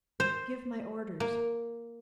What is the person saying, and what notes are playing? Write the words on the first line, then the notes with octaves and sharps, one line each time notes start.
Give my orders.
C5
A#3